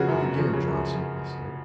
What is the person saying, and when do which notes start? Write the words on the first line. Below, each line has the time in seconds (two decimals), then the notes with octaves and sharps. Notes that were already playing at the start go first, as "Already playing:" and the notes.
"Look again, Johnson," he said.
Already playing: F1 C#3 F3 F#4 G#4
0.08 F#2
0.23 F#2
0.38 F3
0.53 C#3
0.68 F#2